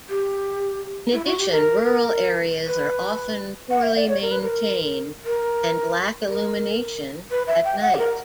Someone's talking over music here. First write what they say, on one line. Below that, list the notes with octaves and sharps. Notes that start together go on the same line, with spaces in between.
In addition, rural areas are often poorly maintained and lack illumination at night.
G4
E4
F#4
G4
A#4
B4
F#5
E5
D5
C#5
A#4
B4
A#4
A#4
A#4
B4
E5
G5
F#5
G4
A#4